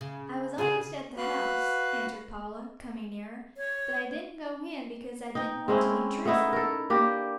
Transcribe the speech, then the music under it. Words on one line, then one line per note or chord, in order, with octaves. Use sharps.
"I was almost at the house," answered Paula, coming nearer, "but I didn't go in because I didn't want to meet Teresa."
C#3
C#3 D4 G#4
F#4 B4 F5 F#6
C#5
D#4 G5
G#3 C4 C#4 E4
A3 B3 D#4 E4
A4 A#4
A#3 D4 G4